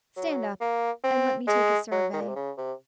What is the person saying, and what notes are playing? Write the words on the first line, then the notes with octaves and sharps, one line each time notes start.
Stand up, and let me take a survey.
F#3
A#3
C4
G#3
F#3
D#3
A#2
C3
C#3
C3